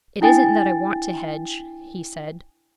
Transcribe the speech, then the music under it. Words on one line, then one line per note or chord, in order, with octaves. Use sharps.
'It isn't that I want to hedge,' he said.
D4 E4 G5 G#5 A6